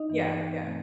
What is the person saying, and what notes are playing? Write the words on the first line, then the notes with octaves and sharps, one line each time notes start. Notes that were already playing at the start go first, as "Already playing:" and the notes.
Yeah, yeah.
Already playing: D#4 D#5
G2 E3 B3
B2 A3 C4